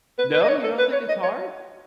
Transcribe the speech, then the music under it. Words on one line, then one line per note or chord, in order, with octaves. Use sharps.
No, you don't think it's hard?
B4
B4
D#5
C#5
A4
B4
C#5
D#5
C#5